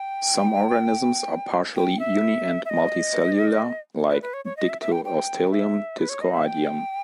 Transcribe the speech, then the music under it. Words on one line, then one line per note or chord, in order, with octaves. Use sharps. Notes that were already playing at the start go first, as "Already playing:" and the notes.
Some organisms are partially uni- and multicellular, like "Dictyostelium discoideum".
Already playing: G5
G5
E5
E5
D#5
B4
B4
C#5
C#5
D#5
E5
E5
G5
G5
E5
B4
C#5
D#5
E5
G5